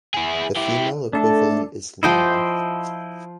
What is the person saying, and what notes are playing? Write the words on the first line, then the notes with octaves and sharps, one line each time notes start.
The female equivalent is Lina.
E4 G#4
E4 G4
A3 D4 A4
F3 E4 C5 D#5 G5 D6